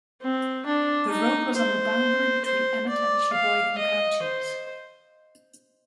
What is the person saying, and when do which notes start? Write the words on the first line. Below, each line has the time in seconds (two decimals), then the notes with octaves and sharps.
The road was on the boundary between Emmet and Cheboygan counties.
0.22 C4
0.66 D4
1.11 D#4
1.56 C5
2.44 C5
2.89 D5
3.33 F5
3.78 D#5
4.23 C5